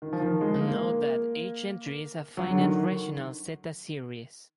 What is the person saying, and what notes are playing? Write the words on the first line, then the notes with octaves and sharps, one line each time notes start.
Note that each entry is a finite rational zeta series.
D#3
F3
D#3
G#3
A#3
F#3
D3
D#3